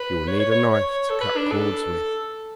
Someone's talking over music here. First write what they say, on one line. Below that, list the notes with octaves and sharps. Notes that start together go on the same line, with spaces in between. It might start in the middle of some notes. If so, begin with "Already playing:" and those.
You will need a knife to cut cords with.
Already playing: B4
C#5
C#5
C#5
C#5
A4
B4
D4
A4